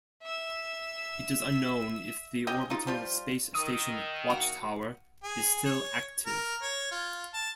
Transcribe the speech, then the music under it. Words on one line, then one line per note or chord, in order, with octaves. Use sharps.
It is unknown if the orbital space station Watchtower is still active.
E5 E6
C#4 G4 D#5 G5
D#4 F4
F3 G3 F4
D#3 D#6 E6 D#7
A#3 F#4
G#4
C#5
A#4
C#5
F4
A5